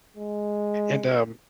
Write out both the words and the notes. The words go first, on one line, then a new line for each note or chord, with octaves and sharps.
and, um,
G#3